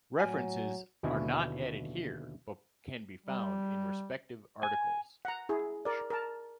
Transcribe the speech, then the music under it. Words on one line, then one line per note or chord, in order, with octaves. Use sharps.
References are not added here but can be found in respective articles.
A2 F#3 G#5
D#2 B2 D3 E4 D#5 G#5
G3
G#5
F#5 A#5
E4 G#4
A#4 D5
A#4 A5